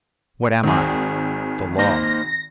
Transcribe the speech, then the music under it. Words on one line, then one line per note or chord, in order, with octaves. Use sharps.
What am I?--the law.
G#1 D#3 C4 F#4 G#4
A#3 D#4 C5 A#6